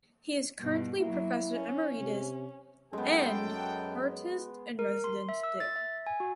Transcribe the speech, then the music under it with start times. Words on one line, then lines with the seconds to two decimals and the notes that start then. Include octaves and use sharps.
He is currently Professor Emeritus and Artist in Residence there.
0.60 G2 B2
0.99 F#3 A#3 E4
1.54 C#4
2.00 C3
2.93 F#2 G#3 B3 F#4 A4 G5
4.79 A#4
5.04 C6
5.29 E5
5.43 E6
5.60 A6
5.76 E5
6.07 G#5
6.20 F#4